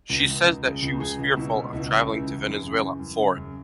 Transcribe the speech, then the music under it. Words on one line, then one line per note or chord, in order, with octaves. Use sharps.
She says that she was fearful of traveling to Venezuela for it.
C#2
C#2
C#2
C#3
C#2
C#2 G#4
C#2
B2 E4
B2
C#2 E4
C#3
C#2
E3
F#2
C#3
E3
F#2
C#3
F#2